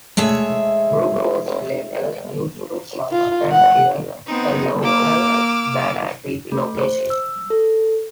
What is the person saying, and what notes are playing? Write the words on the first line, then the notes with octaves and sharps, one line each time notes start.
Brooke was later used to substantiate a local battlefield location.
G#3 A3 G#4 C#5 E5
F4
F#5
B3 C4 D#4
A#3 D6 E6 F6
A3
C5
E6
A4